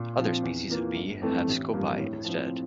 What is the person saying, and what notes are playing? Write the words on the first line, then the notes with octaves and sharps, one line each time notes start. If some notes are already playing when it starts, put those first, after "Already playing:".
Other species of bee have scopae instead.
Already playing: A#2
F3 C4 F4
E2
E3 A#3 F4
G1
F2 E3 A3 C4
A1
G2 F3 A#3 F4
A2
F3 C4